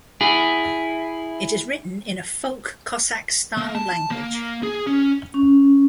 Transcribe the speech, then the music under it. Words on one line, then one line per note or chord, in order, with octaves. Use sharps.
It is written in a folk Cossack-style language.
E4 G#4
A#3
A5
A#3
G#4
C#4
C#4